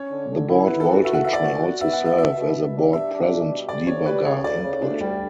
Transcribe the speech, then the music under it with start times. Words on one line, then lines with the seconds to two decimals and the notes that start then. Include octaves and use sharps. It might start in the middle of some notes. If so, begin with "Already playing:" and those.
The board voltage may also serve as a "board present" debugger input.
Already playing: C#4 C#5
0.11 D3
0.30 D3
0.48 E4
0.67 B3 B4
0.80 A4
0.86 E3
0.93 F#4
1.05 F#4 E5
1.14 F#5
1.24 E3 E5
1.33 D5
1.43 F#4
1.61 F#4
1.80 B3 E5
1.93 F#5
1.99 B3
2.06 E5
2.18 B2 E5
2.37 B2
2.56 B2
2.75 D4
2.93 G3 E5
3.12 D4
3.31 B2
3.50 G3
3.69 D2 D5
3.87 D2 C#5
4.06 G3 B4
4.25 C#3 C#5
4.44 D2 D5
4.63 C#3
4.81 D2 D4
4.91 A3
5.00 D2 G3